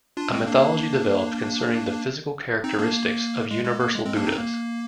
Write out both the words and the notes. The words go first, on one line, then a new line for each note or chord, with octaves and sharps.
A mythology developed concerning the physical characteristics of Universal Buddhas.
D4 F4
G#3 C4
A#3 D4
C4 D#4
A#3 D4
A#3
G#3
G#3
A#3
G#3
G#3 C4
A#3 D4
C4 D#4
A#3